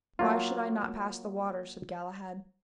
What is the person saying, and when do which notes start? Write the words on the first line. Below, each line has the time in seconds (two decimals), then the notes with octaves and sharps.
Why should I not pass the water? said Galahad.
0.19 F#3 A#3 F4